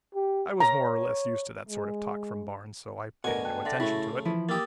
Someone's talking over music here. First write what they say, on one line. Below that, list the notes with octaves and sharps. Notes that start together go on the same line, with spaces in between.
I was more or less used to that sort of talk from Barnes so I paid no attention to it.
G4
C#5 A#5
G#3
D2 B2 A#4 F#5 G#5
G5 A5 F#6
D3 E5 A6 A#6
C#3 A3 E4 F#4
E3 F3 E4
A#3 G4 D#6 E6 A6